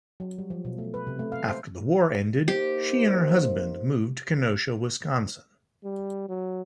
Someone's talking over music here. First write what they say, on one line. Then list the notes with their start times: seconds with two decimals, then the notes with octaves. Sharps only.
After the war ended, she and her husband moved to Kenosha, Wisconsin.
0.20 F#3
0.39 G3
0.50 F3
0.65 B2
0.78 A3
0.94 B4
1.07 C3
1.19 A3
1.32 F5
1.48 C5
2.48 A#3 D#4 G4 C5
5.84 G3
6.29 F#3